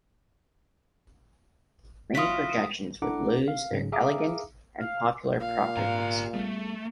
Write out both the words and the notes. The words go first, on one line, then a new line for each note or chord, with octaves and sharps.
Many projections would lose their elegant and popular properties.
F#3 E4 F4 D#6 B6
D4 E4 A4 F#5 A#5 D6
F5
G#2 C#3 F#3
G#4 E5 F5 A#5 D6 D#6
F5
A#2 F5
G#2 G4 A#5
G3 A3 B3 G#4